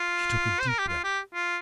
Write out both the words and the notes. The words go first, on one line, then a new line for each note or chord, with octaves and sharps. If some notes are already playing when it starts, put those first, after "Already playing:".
She took a deep breath.
Already playing: F4
C5
A#4
G4
F4
G4
F4